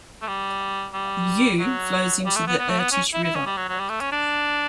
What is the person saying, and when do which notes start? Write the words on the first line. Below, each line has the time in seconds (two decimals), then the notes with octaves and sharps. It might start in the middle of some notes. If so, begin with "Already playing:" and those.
The Uy flows into the Irtysh River.
0.22 A3
0.28 G3
0.94 G3
1.59 F#3
2.26 G3
2.36 A3
2.47 B3
2.58 B3
2.69 A3
2.80 B3
2.92 C#4
3.14 E4
3.24 E4
3.35 C#4
3.46 G3
3.57 F#3
3.68 F#3
3.79 G3
3.89 A3
4.01 C#4
4.12 D4